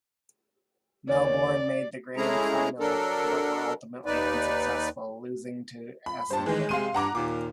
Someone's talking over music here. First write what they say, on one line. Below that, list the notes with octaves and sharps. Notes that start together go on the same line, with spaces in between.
Melbourne made the Grand Final, but were ultimately unsuccessful, losing to Essendon.
D#2 D#3 C#5 D5
G#3 A3 C#4 E4 G#4 A#5
F#3 D4 A4 A#4
D#2 D#4 B4 D5
B5
G2 C5 A5
D#3 E3 G#3
C3 G#3 F5 C6 D#7
G2 F#5 A#5 D6
D#2 A#2 D6